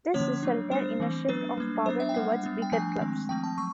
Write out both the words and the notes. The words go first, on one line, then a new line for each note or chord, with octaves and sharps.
This resulted in a shift of power towards bigger clubs.
D3 F3 A#3 C#4 C#5
F#3 A3 D4
G3 B3 D4 C5
E3 A3 C4
F#3 B3 D4 B4
G3 A#3 D4
F#3 B3 D4 C5
E5
G5
G3 A#3 D4 F#5
G3 B3 D4
G5
F3 A3 D4 G#5
D#3 G#3 C4
F3 A3 C4 G5
A5
F#3 C#6